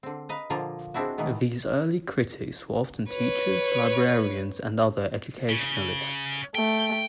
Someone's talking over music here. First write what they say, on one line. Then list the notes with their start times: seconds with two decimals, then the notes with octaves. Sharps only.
These early critics were often teachers, librarians and other educationalists.
0.03 D3 C4
0.29 B4 D#5 F5 A#5
0.50 A#2 D3 F3 A#3 F4 A#4
0.94 G#3 C4 D4 E4 F#4
1.18 B2 D#3 E3 B3
3.09 B4 C#5
5.49 C#3
6.55 A3 G5